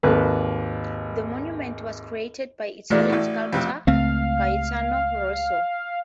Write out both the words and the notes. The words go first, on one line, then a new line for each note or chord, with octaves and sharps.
The monument was created by Italian sculptor Gaetano Russo.
G#1 D#2 A4 B4
E2 A#2 G#3 A3 F#4 D5
A1 A2
F2 C3
C#2 A3 C4 F5